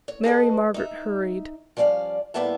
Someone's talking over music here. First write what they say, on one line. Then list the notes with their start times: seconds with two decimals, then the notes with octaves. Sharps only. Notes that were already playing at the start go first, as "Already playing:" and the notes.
Mary Margaret hurried.
0.08 C#5
0.24 G#4 A4 B4 D#5
0.74 D#4 E5
1.77 F3 G3 C#4 D5 F5
2.34 A2 G3 A#3 B3 E5 A5